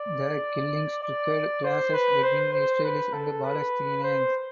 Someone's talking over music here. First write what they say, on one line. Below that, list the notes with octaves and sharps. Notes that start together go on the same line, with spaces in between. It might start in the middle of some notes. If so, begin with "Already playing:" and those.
The killings triggered clashes between Israelis and Palestinians.
Already playing: D5
D5
C5
B4
C5
C5
B4
A4
B4
C5